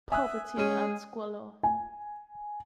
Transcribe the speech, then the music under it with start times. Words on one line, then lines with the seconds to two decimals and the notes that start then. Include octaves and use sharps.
Poverty and squalor.
0.12 E5 G#5 D#6 F#6
0.57 G#3 C#4 G#4 D#7
1.63 G#5